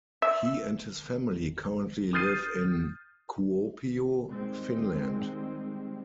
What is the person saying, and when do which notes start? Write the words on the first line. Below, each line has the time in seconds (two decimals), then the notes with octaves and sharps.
He and his family currently live in Kuopio, Finland.
0.22 E5
2.13 D#6 F6 G6 A6 C7 D#7
4.29 D#3 G3 G#3 C4